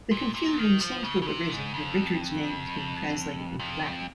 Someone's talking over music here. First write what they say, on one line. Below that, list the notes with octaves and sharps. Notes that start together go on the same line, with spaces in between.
The confusion seems to have arisen when Richard's name was being translated into Latin.
A#2
A#2
D#3
F3
C#3
C#3
C3
G#2
F2
F2